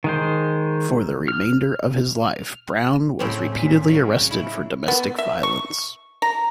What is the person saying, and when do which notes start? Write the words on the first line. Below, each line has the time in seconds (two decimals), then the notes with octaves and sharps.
For the remainder of his life, Brown was repeatedly arrested for domestic violence.
0.04 D#3 G#3 C5
1.28 F6
3.19 A2 C#3 C4 C#4
3.52 A#2
3.87 C#3 F#3
4.31 E4
4.88 B3
5.18 E5
5.43 C#6
6.22 A#5